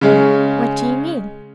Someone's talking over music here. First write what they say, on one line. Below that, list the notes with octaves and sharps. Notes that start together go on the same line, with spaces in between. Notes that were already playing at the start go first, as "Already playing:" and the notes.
What do you mean?
C#3 G#3 C#4